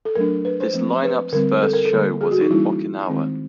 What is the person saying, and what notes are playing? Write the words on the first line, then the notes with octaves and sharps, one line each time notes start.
This lineup's first show was in Okinawa.
A4
F#3 A3 D4 A#4
B4
C5
F3 A3 C4
B4
D3 G3 C4 A#4
A4
A#4
A4
D3 G3 A#3
G#4
F#4
D#4
E3 G3 A#3 C#4 E4
D#3 G#3 C4